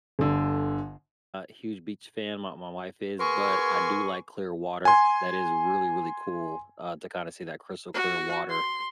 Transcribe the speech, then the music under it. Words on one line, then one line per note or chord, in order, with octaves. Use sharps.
a huge beach fan. My my wife is, but I do like clear water. That is really, really cool, uh, to kinda see that crystal clear water.
G1 D3
B3 G#4 A#4 G#5 C6 C#6
G#5 C6
F#4
C6